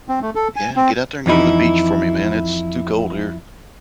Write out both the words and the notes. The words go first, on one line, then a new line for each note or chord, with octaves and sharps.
Yeah, get out there and go to the beach for me, man. It's too cold here.
C4
A3
A4
G#5
C4
F2 E3 D#4 E4